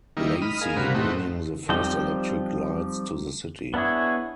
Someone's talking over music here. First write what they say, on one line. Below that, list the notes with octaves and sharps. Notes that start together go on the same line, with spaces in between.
Lacey, bringing the first electric lights to the city.
D#3 G3 A#3 D#4 E4
D#5 B5 D#6 F6
G#4 A#4 D#5 F5
G2 C3 F#4 A#4 F5 B5
A2 A3 C4 D#4 F#4
F3 G3 C4 D#4 G5
B3 D4 E4 G#4 C#5